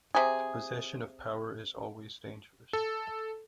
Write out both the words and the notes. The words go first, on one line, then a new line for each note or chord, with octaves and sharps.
The possession of power is always dangerous.
C3 G#4
A4